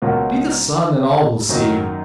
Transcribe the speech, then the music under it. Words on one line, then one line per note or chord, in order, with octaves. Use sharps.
Be the sun and all will see you.
C#2 B2 A#3 C#4 F4
F#2 D#3 F#3 A#3 D#4